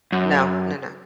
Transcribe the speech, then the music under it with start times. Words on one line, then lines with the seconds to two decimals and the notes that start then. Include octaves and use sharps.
No. No, no.
0.12 F#2